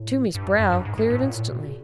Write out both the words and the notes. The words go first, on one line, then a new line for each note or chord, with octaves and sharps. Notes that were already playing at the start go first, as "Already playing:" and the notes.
Toomey's brow cleared instantly.
Already playing: A2
G2
F#2
F#2
G2
G#2
G#2
A2
A#2
A2
B2
A#2
C#3